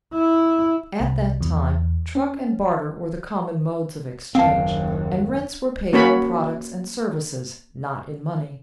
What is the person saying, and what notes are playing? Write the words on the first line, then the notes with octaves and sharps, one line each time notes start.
At that time, truck and barter were the common modes of exchange, and rents were paid in products and services, not in money.
E4
C2
E2
C#4
F#1 D#2 C4 F5 G5 A5
A#3 C#4 F#4 C#5 B5